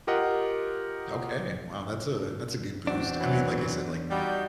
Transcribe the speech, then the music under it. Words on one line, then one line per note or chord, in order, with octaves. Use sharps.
Okay, wow that's a that's a good boost. I mean, like I said, like,
F4 G4 A#4 D#5 F#5
E2 C4 D4 F#4
E3 F#3
G3 D#4 F#4 G6